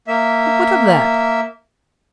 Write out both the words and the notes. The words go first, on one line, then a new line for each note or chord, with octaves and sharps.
But what of that?
A#3 E5